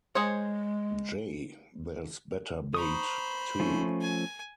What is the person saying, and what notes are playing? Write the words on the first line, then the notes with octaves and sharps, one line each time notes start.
J: There's better bait, too.
G#3 G#4 C5 C#5
C5 A#5 B5 C#6 D#6
F3 A3 C#4
G#5